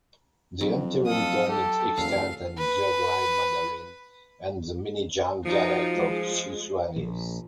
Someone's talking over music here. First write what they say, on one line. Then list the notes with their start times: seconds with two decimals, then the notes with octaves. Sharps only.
The entering tone is extant in Jianghuai Mandarin and the Minjiang dialect of Sichuanese.
0.61 F2 F#3
1.06 A4 F5 D#6
1.48 G4 A4
1.97 F#1 E2 F5
2.58 B4
5.45 F3 D#4 F4 F#4
5.96 G#3
6.96 A#1